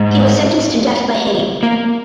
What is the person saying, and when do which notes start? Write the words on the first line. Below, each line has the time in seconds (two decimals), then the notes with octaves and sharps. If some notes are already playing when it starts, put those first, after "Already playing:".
He was sentenced to death by hanging.
Already playing: G#2
1.63 A#3